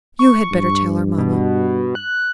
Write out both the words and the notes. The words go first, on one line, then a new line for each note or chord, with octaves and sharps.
"You had better tell her, mamma."
C#6
G2
B2
F#6